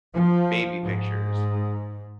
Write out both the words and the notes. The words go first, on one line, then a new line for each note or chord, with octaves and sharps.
baby pictures.
F3
G#2